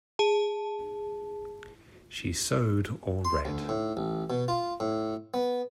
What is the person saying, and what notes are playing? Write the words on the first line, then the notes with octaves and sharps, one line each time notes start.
She sewed or read.
G#4 A5
C6
D2
A2
A1
B2
F4
A2
B3